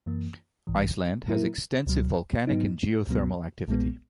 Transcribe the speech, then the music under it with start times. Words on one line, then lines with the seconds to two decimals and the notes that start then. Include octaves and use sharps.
Iceland has extensive volcanic and geothermal activity.
0.06 F#2 E3 A#3
0.67 A#1 G#2 E3
1.26 A#2 F#3 A#3 E4 A#4
1.87 C#2 B2 F#3
2.47 G#2 F#3 B3 D#4
3.07 C#2 B2 F#3 B3
3.68 B1 A#2 G#3 B3